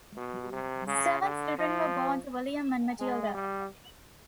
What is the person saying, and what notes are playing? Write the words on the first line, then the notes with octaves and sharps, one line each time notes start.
Seven children were born to William and Matilda.
B2
C3
C#3
D3
F3
G#3
G3